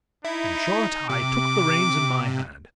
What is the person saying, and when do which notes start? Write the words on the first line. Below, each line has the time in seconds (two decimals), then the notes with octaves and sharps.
In short, I took the reins in my hand.
0.25 D#4 E4
1.09 C3 D6